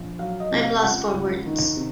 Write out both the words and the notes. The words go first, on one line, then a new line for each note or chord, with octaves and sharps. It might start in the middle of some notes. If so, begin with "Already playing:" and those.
I'm lost for words.
Already playing: A#1
F#3 F5
D#5
C3
F5
C#2 F#5
C#2
D#3
C3